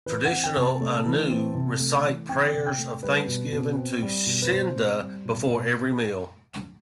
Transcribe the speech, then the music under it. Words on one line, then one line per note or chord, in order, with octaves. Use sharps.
Traditional Ainu recite prayers of thanksgiving to Shinda before every meal.
E3 B4
F#5
C4
G5
C3
A5
A3
E3
C4
C3
A3
E3
C4 G5
C3
G5
A3
G3 B4
B2
B2
C4
G3
B2
B4
B2 C5
C4
G3
B2
B2